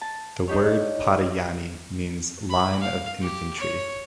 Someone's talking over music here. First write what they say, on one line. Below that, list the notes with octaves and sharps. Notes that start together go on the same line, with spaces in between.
The word Padayani means line of infantry.
A5
D4 D#4 G4 C#5
B5
F5
G4
C#5